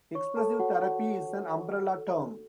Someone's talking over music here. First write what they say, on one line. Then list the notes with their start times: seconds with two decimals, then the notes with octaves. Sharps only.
Expressive therapy is an umbrella term.
0.15 C#5 C#6
0.37 A4 C#5 A5
0.59 F#4 C#5 F#5
0.82 F#4 C#5 F#5
1.05 C#5
1.27 C#5
1.50 F#4
1.73 F#4
1.96 A4
2.18 F#4